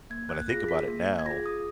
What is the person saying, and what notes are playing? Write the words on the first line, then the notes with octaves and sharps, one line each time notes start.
when I think about it now,
A#3 G#6
F#6
F4 G#4 A#6
B6
A#3
G#6
F4 G#4 A#6
D#6